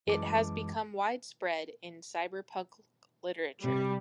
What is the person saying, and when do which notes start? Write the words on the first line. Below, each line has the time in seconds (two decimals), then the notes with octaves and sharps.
It has become widespread in cyberpunk literature.
0.07 F#2 E3 G#3 A5 D6
3.64 C3 G3